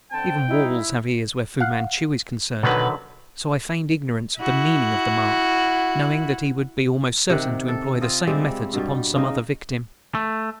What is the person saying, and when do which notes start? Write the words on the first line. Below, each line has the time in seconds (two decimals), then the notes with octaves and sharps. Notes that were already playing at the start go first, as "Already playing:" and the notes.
Even walls have ears where Fu-Manchu is concerned, so I feigned ignorance of the meaning of the mark, knowing that he would be almost certain to employ the same methods upon some other victim.
0.12 D3 C4 G5 A5
0.48 G3 D#4 E4
1.60 F5 F#5
2.63 B2 D3 D#3 F#3 B4
4.38 E4 F#4
7.30 C3 D#3 F#5 G5
7.68 A4
8.01 C4 F4 D#5
8.27 C3 G3 G#3 C4
8.73 G2 B2 G3
9.16 C#3 D#4
10.15 A3